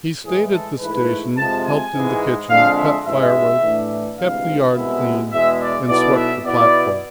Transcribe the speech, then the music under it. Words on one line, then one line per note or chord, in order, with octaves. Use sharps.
He stayed at the station, helped in the kitchen, cut firewood, kept the yard clean, and swept the platform.
A2 E3 G#3 G#4
A4
G#2 E3 A3 E4 B4
F2 C3 F3 G#3 A5
G#5
G#2 E3 G#3
F2 D3 G#3 D4 F5
E5
A1 G#2 G#3 E5
A2 E3 A3 D4
D2 C3 E3 G#3 F5
C2 B2 G#3 B3 E4 E5
E2 B2 G#3 E5
D5
B1 B2 B3 E4 D5
E5
B2 B3 E4 D5